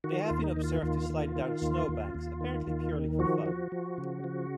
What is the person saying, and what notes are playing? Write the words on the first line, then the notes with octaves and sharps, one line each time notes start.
They have been observed to slide down snowbanks, apparently purely for fun.
D#3 F#4
F4
D#2
D#4
D#3
F4
D#2 F4
D#3
D#3
D#2
D#2
D#2
D#3
D#2
D#3
F3 F#4
F3
F3
C#3
F3